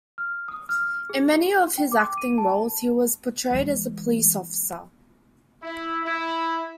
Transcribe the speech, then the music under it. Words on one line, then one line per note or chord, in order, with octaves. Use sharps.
In many of his acting roles, he has portrayed a police officer.
F6
D#6
F6
G#4
G5
D6
D#7
A5
E3 G#3
E4
E4